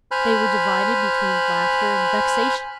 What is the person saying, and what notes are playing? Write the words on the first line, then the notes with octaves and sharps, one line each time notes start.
They were divided between laughter and vexation.
C5 G#5 B5 F6 F#6